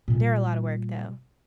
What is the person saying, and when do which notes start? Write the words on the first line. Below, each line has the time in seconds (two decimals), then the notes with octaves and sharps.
They're a lotta work though.
0.08 A#2 G3